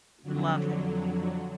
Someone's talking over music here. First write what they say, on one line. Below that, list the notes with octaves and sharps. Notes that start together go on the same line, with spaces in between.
Love it.
F2 D3 F#3